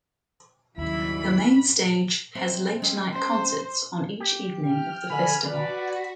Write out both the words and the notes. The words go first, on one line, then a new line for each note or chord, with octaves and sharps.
The main stage has late night concerts on each evening of the festival.
D#2 G#2 C#3 F#3 G3 E4 B5
C4 C5 E5
G#3 C4 C#4
C5
G4
G5 F6
D3 G#5 B5
F#4 B4 D5 B5